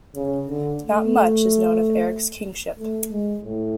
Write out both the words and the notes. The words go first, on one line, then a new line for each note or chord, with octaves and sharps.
Not much is known of Eric's kingship.
C#3
D3
A3
A3
G#3
A2